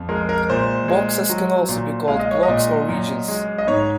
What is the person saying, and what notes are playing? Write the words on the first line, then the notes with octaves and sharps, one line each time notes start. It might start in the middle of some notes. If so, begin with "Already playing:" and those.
Boxes can also be called blocks or regions.
Already playing: F2
G#3 A#4
A#4
A#2 C5
G#3
F#3
A#2
G#3 F5
D#5
C#5
D#5
A#2
F#2
G#3
D#5
G#2 C#5